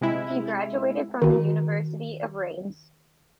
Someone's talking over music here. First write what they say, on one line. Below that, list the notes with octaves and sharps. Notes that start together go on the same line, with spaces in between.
He graduated from the University of Rennes.
C3 G#3 E4
D#3 F#4